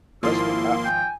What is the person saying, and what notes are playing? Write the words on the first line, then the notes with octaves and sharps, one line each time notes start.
Trust me. I
G#1 F3 A#3 E4 F4 C6
G5 G#5